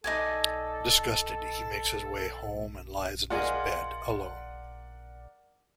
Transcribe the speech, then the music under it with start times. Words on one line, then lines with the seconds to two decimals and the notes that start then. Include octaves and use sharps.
Disgusted, he makes his way home and lies in his bed, alone.
0.04 D#4 A4 D5 G#5
3.30 F4 G#4 A#4 D5 D#5 F#5